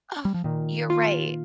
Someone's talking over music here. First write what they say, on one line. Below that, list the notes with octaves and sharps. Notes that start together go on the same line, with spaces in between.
"Oh, you're right.
G3
F3
A#2 D#3
F4